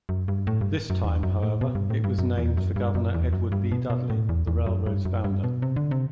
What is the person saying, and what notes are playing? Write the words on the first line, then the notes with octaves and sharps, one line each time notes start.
This time, however, it was named for Governor Edward B. Dudley, the railroad's founder.
F#2
G2
A2
G2
F#2
E2
F#2
A2
B2
G2
A2
G2
F#2
E2
F#2
G2
F#2
E2
F#2
G2
B2
B2
A2
E2
E2
F#2
G2
F#2
G2
B2
C3
D3
C3